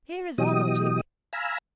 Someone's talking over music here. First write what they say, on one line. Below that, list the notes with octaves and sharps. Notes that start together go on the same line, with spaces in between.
Here is our logic.
B2 E3 F#3 G4 D#5 D#6
F5 G#5 A#5 B5 E6